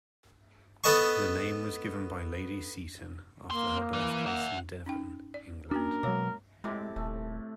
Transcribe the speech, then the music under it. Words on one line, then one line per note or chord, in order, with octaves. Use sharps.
The name was given by Lady Seaton after her birthplace in Devon, England.
B3 A4 B4 D#5 A5 C#6
A#3 C4 C6
E3
E5 F#5
C#4 D#4 G5
D5
A#3 C#4 D4 F#4 A#4
B2 F#3 G#3 C#5 D6
A2 C3 G#3 D6
D#1 A3